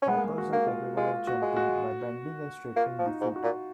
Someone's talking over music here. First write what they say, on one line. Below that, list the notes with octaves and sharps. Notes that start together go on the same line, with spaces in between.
Cockles are capable of "jumping" by bending and straightening the foot.
C#4
G#3 B3
A#3
G#3
F#4
A#3
F4
G#3 F4
F#4
G#3
F#4
A#3 F4
F3
D#4
G#2
F#4
A#2